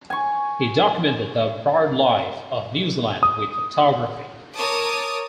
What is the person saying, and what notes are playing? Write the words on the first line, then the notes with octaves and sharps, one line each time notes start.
He documented the birdlife of New Zealand with photography.
G#5 C#6
D#6
A#4 C#5 A5 D6 D#6